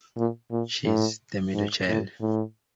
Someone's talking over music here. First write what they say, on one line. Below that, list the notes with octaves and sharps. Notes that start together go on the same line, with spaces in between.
She is the middle child.
A#2
A#2
A2
G#2
A2
A2